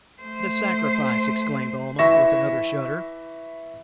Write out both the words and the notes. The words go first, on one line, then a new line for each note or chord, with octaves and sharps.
"The sacrifice!" exclaimed Almah, with another shudder.
A3 C5
E3 E4 E5 C#6 A#6 E7